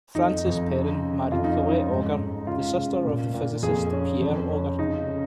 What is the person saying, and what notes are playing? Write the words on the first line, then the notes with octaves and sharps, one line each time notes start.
Francis Perrin married Colette Auger, the sister of the physicist Pierre Auger.
F2 D#4
F2
C#3
C#3
F2 F4
D#4
C#4
D#4
G#2
G#2
C#3 F4
C#3
A#2
A#2
F2 G#4
C#4
F2
C#4
C#3 D#4
C#3